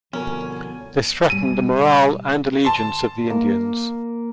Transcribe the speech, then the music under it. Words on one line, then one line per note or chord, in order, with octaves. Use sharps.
This threatened the morale and allegiance of the Indians.
C2 F2 B2 D3 C#4 A#4 G#5
B2 G3 G#5 D#7
D2 A5 C6
A#3